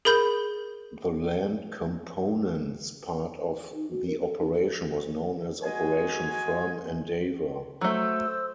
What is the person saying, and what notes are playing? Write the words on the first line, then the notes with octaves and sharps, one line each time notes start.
The Land Component's part of the operation was known as Operation Firm Endeavour.
G#4 A#4 B5 G6
D#4
F#4
A#4
A4
D#4
A4
G#3 F#4 D#5 G#5
F#3 A3 C5 E6